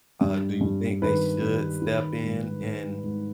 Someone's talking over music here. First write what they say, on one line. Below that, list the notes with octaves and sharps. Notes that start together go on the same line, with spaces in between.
Um, do you think they should step in and
G2
G2
D#3 B4
D#3
D#3
G#2
G#2
G#2